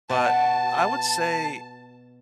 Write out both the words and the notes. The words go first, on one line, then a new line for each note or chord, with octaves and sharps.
But, I would say,
B2 F#4 A5